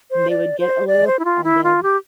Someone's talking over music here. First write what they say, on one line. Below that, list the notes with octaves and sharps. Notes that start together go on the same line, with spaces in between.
And they would get a little offended.
C5
D5
C5
D5
C5
E4
F4
E4
F4
G4